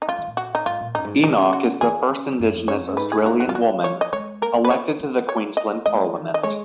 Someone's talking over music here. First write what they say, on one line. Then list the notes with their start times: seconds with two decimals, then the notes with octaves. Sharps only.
Enoch is the first Indigenous Australian woman elected to the Queensland parliament.
0.02 D#4
0.08 C#4 F4
0.18 D#3
0.27 A#2
0.37 F#4
0.55 D#4
0.66 G#2 F4
0.80 A#2
0.95 F#2 D#4
1.04 G#2
1.14 A#2
1.24 B2 D#4
1.38 C#3
1.53 F#4
1.81 D#3 G#4
2.10 C#3
2.39 F#2
2.54 F2
2.68 F#2 C#5
2.78 F2
2.87 F#2
2.97 G#2 B4
3.12 G#4
3.26 F#4
3.40 F#4
3.47 F#3 F4
3.55 F3 F#4
3.84 C#5
4.01 D#5
4.13 G#3 C#5
4.42 A#3 A#4
4.65 B4
4.70 B3 C#5
4.99 B3
5.29 C#5
5.57 D#5
5.86 G#3 D#5
5.95 A#3
6.04 G#3
6.15 D#3
6.34 D#5
6.43 G#3 C#5